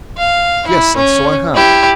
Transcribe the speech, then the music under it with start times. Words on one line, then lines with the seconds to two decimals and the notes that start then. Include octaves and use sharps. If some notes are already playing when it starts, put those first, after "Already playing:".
Yes, and so I have.
0.17 F5
0.67 E4
0.96 C#4
1.54 E4 G4